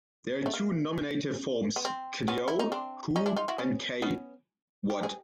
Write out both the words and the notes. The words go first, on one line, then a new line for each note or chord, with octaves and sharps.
There are two nominative forms: "kdo" "who" and "kaj" "what".
A3
A#3
B3
C4
B3 C#4
E4
D#4
C4 D4
C#4 D#4
D4 E4
D#4 F4
E4 F#4
B3 C#4
B3 C#4
G4
G#4